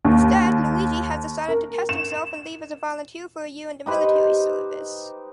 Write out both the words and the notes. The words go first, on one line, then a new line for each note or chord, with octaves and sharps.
Instead Luigi has decided to test himself and leave as a volunteer for a year in the Military service.
D#2
A#4
E7
D#4 G4 B4 C5